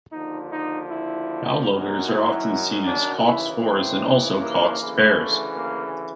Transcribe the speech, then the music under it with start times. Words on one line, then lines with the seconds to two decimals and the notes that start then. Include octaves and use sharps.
Bowloaders are often seen as coxed fours and also coxed pairs.
0.12 D#2 D3 F3 D#4
0.52 D#4
0.90 E4
1.67 F#2 D#3 F#3
2.07 E4
2.84 D4
3.23 D#2 C#3 E3 E4
3.62 C4
4.40 A#3
4.79 D2 C#3 E3
5.17 A3
5.56 A#3